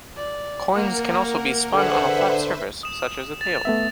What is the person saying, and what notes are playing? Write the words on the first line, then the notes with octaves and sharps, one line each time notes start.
Coins can also be spun on a flat surface such as a table.
D5
A#3 A#4 F#5
D3 G#4 B4 C5 E5 F#5
D#6 E7
A6 F7
A3 B3 E5